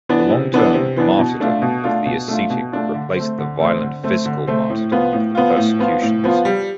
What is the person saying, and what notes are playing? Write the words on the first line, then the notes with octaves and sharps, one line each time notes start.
The long-term "martyrdom" of the ascetic replaced the violent physical martyrdom of the persecutions.
E3 B3 D4
C3
E3 B3 D4
C3
E3 B3 D4
B2
A3 D4 F4
B2
A3 D4 F4
B2
A3 D4 F4
B2
A3 D4 F4
D3
A3 C4
D3
A3 C4
D3
A3 C4
D3
A3 C4
A2
F3 B3 F4
A2
F3 B3 F4
A2
F3 B3 F4
A2
F3 B3 F4
G3